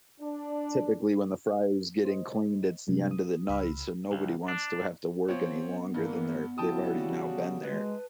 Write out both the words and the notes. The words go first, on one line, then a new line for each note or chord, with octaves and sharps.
typically, when the fryer's getting cleaned, it's the end of the night, so nobody wants to have to work any longer than they're they've already now been there,
D4
C5 D#5
C3 F3 F#3 G#3
D#6
C#2 B5 E6 F6
C#2
D4
F3 B3 C4 C#5
G2 E3 A#3
C#3 G3 E4 F#4 G5 A5 D#6
G#3 B4